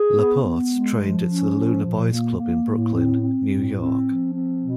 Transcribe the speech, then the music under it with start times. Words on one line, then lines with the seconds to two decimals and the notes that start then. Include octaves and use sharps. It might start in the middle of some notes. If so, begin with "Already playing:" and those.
Laporte trained at the Lunar Boys Club in Brooklyn, New York.
Already playing: G#4
0.15 B3
0.43 B3
0.71 G#3
0.99 F3
1.27 C#4
1.54 F3
1.83 A#2
2.10 A#3
2.38 A#3
2.66 A2
2.93 C4
3.21 C4
3.49 A2
3.76 C4
4.04 F3
4.32 C4
4.60 B2